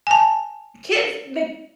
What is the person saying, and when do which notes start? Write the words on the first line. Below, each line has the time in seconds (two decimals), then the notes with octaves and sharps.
kids, the
0.07 G#5 A5